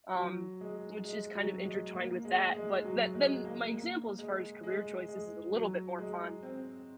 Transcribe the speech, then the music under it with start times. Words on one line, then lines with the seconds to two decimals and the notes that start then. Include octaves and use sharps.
Um, which is kind of intertwined with that but that then my example as far as career choices is a little bit more fun.
0.15 F#3
0.61 G#3
1.05 G#3
1.35 F#3
1.65 G#3
1.95 A#3
2.25 G#3
2.54 G#3
2.84 F#3
3.15 G#3
3.45 A#3
3.74 A#3
4.19 G#3
4.63 G#3
5.08 G#3
5.53 F#3
5.98 G#3
6.43 C4